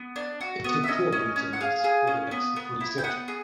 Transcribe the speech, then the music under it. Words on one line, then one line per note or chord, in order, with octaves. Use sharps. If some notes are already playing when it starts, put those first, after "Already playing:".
It took four winter months for the wax to fully set.
Already playing: B3
D4
F#4
B3
E5
C#4 D#5
C#4
C#4
F#5
G#4 F5
G#4
C#4
B3
B3
E4
G5
B3 F#5
G#4